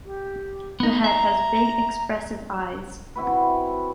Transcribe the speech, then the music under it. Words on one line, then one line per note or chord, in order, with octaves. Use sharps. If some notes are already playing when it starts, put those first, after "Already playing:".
The head has big expressive eyes.
G4
B3 D#4
E5 A#5
C4 E4 F#4 B4